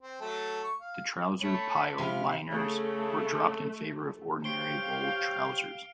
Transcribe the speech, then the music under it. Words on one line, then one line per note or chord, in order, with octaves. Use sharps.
The trouser pile liners were dropped in favor of ordinary wool trousers.
C4
F#3 A3 A4
C#6
F5
A3 C#5 B5
C3 F3 F5 F6
C#3 A3
G4 C5 C#5 F5 G5 C7 D7 G7